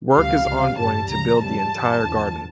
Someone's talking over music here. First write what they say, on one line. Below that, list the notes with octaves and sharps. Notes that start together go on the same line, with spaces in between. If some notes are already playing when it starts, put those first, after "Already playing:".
Work is ongoing to build the entire garden.
D2 C#3 E3 G3 F5
C#2 C#3 G3
G2 E3 G3 A5
D2 C#3 F3 A#5
F2 C#3 E3 G3 A5
G2 E3 G3
E2 D3 F3